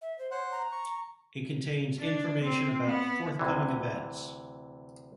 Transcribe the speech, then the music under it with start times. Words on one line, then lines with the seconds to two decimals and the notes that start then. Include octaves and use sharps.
It contains information about forthcoming events.
0.02 E5
0.18 C5
0.31 C5 C#5 F#5
0.52 A#5
0.72 C#6
2.00 D4
2.43 C4
2.86 B3
3.39 D2 C3 E3